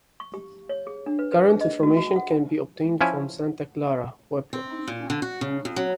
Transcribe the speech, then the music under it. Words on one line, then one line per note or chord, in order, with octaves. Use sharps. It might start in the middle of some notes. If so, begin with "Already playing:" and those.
Current information can be obtained from Santa Clara Pueblo.
C#6
G4
C#5
G#4
D4
B4
B4
G#4
D#5
F#4
F#4
F#5
F3 C#4 E4 G#5
C4
A#2
D3
F#4
C#3
F2
F#3